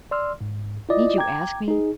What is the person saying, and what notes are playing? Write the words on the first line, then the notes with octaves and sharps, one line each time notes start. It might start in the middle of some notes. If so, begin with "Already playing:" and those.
"Need you ask me?"
D5 C6 E6 F6
G#2
E4 F4 D5 D#5
G5 A#5 D6 G#6
D#4 G#4